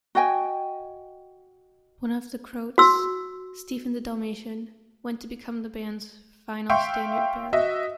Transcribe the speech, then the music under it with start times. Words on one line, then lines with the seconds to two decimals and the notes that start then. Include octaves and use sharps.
One of the Croats, Stephen the Dalmatian, went to become the band's final standard-bearer.
0.15 F#4 D#5 G5 G#5
2.78 F#4 E6
6.69 E5 F5 G5 C6 C#6
7.53 F#4 D#5 E5